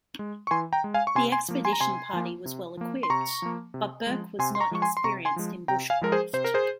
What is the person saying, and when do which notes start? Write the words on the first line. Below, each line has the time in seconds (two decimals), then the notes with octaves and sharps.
The expedition party was well equipped, but Burke was not experienced in bushcraft.
0.19 G#3
0.47 C#6
0.51 E3 G#5 C6
0.73 G5 A#5
0.84 G#3
0.94 F5 G#5
1.07 C#6
1.15 C3 G#5 C6
1.32 G#5 C6
1.48 F3 A#3
1.65 G#5 C6
1.73 A#5
1.80 C3 G#5 C6
2.13 F3 A#3
2.45 C3
2.77 F3 A#3
3.03 C6
3.10 C3 A#5 C#6
3.42 F3 A#3
3.74 C3
4.07 F3 G#3
4.39 C3 G#5 C6
4.55 C6
4.60 A#5 C#6
4.71 F3 G#3 C#6
4.82 G#5 C6
4.97 C6
5.04 C3 A#5 C#6
5.25 G#5 C6
5.36 F3 G#3
5.68 C3 G5 A#5
5.90 F5 G#5
6.02 F3 G#3 A#4
6.12 G#4 C5
6.33 C3 C5
6.44 A#4
6.54 G#4 C5